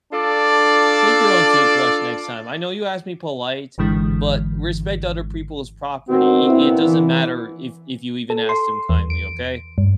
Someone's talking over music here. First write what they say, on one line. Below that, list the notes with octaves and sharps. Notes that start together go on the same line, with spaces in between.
take your own toothbrush next time, I know you asked me polite, but respect other people's property, i it doesn't matter if if you even asked him kindly, okay?"
D4 F4 A4 D5
G#1 G#2 D3 E3 G#3
D#3 B3 C4 F#4
A#2 B3 E4
E3
A4
C6
E2
D7
G2